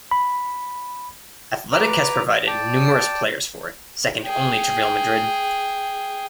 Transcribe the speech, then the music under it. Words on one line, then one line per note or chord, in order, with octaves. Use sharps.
Athletic has provided numerous players for it, second only to Real Madrid.
B5
B4 A#5 D6
D5 G5 A5
G#4 G5